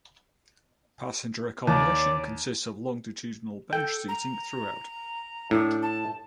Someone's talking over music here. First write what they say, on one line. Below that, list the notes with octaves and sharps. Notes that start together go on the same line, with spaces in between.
Passenger accommodation consists of longitudinal bench seating throughout.
D#2 C#5 D5
A4 G5
A#5
A2 D4
A5